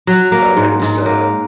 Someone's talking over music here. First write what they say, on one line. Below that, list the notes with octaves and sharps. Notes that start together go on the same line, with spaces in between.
So it's uh,
F#3
A#3
G#2
G#2
A#3